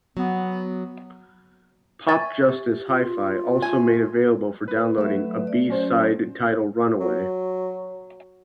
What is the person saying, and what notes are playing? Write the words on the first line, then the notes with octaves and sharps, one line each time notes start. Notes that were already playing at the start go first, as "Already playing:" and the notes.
Popjustice Hi-Fi also made available for downloading a B-Side titled Runaway.
F#3 B3
E5 G#5 C#6 A6
G4
F4
A3 G#5
B4
F#3 A3 E5
D5
F#3 C#4 C5
F#3